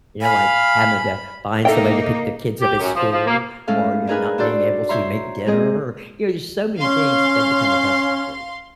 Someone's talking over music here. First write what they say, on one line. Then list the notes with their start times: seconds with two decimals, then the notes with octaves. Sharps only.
You know, like, having to find somebody to pick their kids up at school or you're not being able to make dinner, you know, there's so many things that they've become accustomed to.
0.21 F5 G#5 B5
1.65 A#3 D#4 A4 E5 G5
2.60 G4
2.79 F#2
2.95 F3
3.11 F3
3.26 A#3
3.67 A2 G#3 C#4 A4 F5
4.07 D4 D#4 G#4 A#4 B4 G#5
4.38 D4 F#4 A4 C5 D5 E6
4.89 C5 C#5 E5 A#5 C6
5.46 G#3 C4 G#4 D#5
6.79 C#4 F5 C6